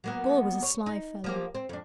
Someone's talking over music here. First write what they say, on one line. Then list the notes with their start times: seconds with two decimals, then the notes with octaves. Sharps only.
Gore was a sly fellow.
0.04 F#3 A#3 B3
0.63 C#5
0.86 D#4
1.24 F3 A#3 G4
1.55 C4
1.69 F2 D4